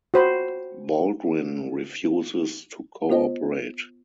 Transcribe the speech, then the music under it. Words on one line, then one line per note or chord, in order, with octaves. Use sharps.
Baldwin refuses to cooperate.
F#4 C5 B5
B3 F4 C5 D#5